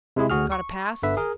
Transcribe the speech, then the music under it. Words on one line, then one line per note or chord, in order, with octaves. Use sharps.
"Got a pass?"
C3 G#3 E4 G#4
D2 F#4 G#4 F6
C#6
G1 D3 B4 E5
G#4 A#4